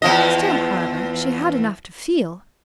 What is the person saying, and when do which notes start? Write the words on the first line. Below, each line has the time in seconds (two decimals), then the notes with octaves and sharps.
Still, however, she had enough to feel!
0.02 E2 F3 D#5